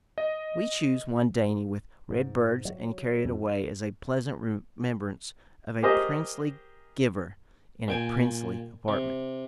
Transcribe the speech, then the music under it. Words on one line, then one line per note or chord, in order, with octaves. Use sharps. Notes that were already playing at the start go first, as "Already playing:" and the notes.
We choose one dainty with red birds, and carry it away as a pleasant remembrance of a princely giver, in a princely apartment.
D#5
G#2
F#3
F2
G4 G#4 A#4 C5 D#5
A#2 G5 G#5
C3